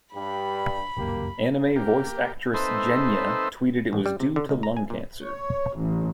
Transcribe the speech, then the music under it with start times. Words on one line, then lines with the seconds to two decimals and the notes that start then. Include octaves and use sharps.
Anime voice actress Jenya tweeted it was due to lung cancer.
0.14 G2 G3 B5
0.97 G1 C#2 F#2 A#3 G4
1.76 A#3 G4
2.54 C4 D#4 A4 B4 C5 E5
3.93 A1
4.06 G3
4.20 C3
4.36 D3
4.49 C#2
4.63 A#5
4.77 G#5
4.90 A#2
5.25 C#5
5.78 A1